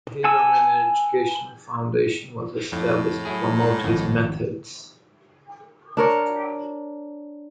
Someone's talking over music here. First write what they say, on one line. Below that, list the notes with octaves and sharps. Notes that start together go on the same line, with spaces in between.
The Haberman Educational Foundation was established to promote his methods.
F#5 G#5 A5 E6
F2 A2
F#3 E4 G#4
G#2 F#5
G#1 F2 D#4
D4 A#4 C#5